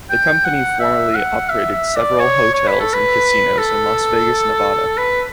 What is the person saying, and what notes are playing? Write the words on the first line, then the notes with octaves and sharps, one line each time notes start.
The company formerly operated several hotels and casinos in Las Vegas, Nevada.
G5
F#5
E5
F#5
E5
E5
D5
C#5
C#5
B4
A4
B4
A4
B4